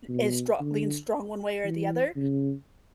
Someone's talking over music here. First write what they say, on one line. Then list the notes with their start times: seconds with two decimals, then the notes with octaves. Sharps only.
i is stro leans strong one way or the other,
0.08 B2
0.60 D3
1.64 E3
2.16 C#3